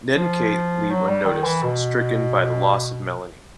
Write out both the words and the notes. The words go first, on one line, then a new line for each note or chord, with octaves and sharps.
Ned and Kate leave unnoticed, stricken by the loss of Melanie.
F3
F#3
G3
D#3
E3
B2